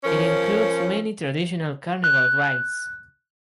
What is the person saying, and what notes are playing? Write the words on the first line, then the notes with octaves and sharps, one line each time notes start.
It includes many traditional carnival rides.
F3 C#4 A#4 C#5
F#6